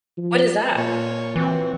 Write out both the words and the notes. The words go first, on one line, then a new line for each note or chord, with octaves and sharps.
What is that?
F3
A#2 F4 C#5
E3 C4 F#4